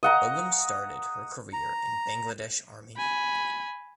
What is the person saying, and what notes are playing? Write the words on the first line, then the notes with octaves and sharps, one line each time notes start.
Begum started her career in Bangladesh Army.
D#5 F#5 A#5
A#5
G#5 B5